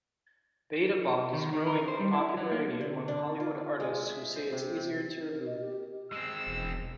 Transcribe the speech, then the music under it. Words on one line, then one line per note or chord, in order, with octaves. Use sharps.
BetaBond is growing in popularity among Hollywood artists who say it's easier to remove.
D#3
D#3
A#4
C5
G3
E4
F#3
A#3
D3
D4
F4
G#3
E5
C5
C3
C4
A#4
D#5
G4
G#3 C4 E6
E1